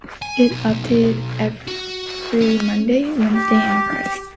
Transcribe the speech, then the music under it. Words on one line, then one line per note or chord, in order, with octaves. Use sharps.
It updates every Monday, Wednesday, and Friday.
G#5
B1
F#4
C#4
G4